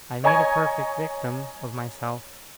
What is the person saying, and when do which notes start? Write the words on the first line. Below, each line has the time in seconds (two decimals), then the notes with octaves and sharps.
I made a perfect victim of myself.
0.24 C#5 D#5 G#5 A#5 C#6 G#6